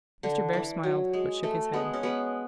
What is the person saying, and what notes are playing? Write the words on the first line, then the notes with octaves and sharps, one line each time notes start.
Mr. Bhaer smiled, but shook his head.
D3
E3
F#3
G#3
A3
G#3 B3
C#4
G#3 B3